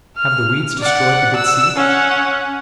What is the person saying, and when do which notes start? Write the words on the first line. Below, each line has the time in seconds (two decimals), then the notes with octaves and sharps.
"Have the weeds destroyed the good seed?"
0.16 F6
0.80 D5 F#5
1.36 E6
1.76 C#4 F#5